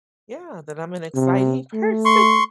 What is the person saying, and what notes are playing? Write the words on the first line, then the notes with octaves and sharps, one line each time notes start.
Yeah. That I'm an exciting person.
C3
A3
C6 C#6